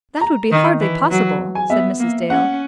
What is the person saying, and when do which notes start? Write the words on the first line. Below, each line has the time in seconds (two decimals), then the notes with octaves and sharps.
"That would be hardly possible," said Mrs. Dale.
0.21 A#5
0.52 D#3
0.81 E3
1.11 F#3
1.55 G#5
1.70 B3 E5
2.00 A#3
2.30 C#4 F#5